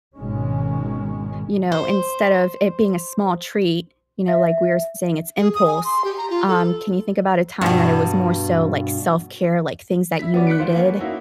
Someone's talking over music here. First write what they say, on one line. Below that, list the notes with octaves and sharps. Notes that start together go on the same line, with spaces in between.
you know, instead of it being a small treat you know, like we were s-saying it's impulse. Um, can you think about a time that it was more so, like, self-care, like, things that you needed?
G#1 B2 D#3 G#3 C#4
C5
E5
G#4
D#6
G#5
C6
G4
A#5
F4
A4
G2 B2
E4 B6
B3 C#4 F#4 D5
F#6 B6 C#7 D7
D#3 F4 C5
A#3 B3 C#4
A#3 C#4 D#4 E4 F#4